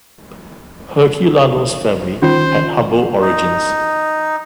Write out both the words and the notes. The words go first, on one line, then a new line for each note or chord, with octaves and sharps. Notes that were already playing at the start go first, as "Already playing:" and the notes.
Herculano's family had humble origins.
D#3 C#4 F4 C5
D#4